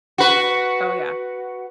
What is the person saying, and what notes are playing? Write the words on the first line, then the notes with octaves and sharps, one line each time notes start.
Oh, yeah.
F#4 B4